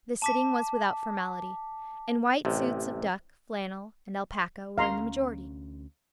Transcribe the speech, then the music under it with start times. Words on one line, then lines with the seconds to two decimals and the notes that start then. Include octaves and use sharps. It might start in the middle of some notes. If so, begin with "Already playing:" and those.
The sitting was without formality, and white suits of duck, flannel and alpaca were in the majority.
0.22 A5 D6 B6
2.45 A1 C3
4.78 D2 C4 C#4 F5 A#5 C6